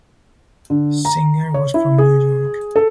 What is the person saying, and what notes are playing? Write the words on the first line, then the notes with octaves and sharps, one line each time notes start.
Singer was from New York.
D3
A#5
C#5
E4
G#4
A4